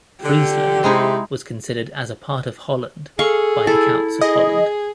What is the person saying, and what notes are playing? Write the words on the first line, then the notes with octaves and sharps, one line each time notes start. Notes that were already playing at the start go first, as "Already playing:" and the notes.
Friesland was considered as a part of Holland by the Counts of Holland.
D3 G4
C3 G#3 D#4 E4
G#4 A4 F5 C#6
E4 A4
G#4 D#5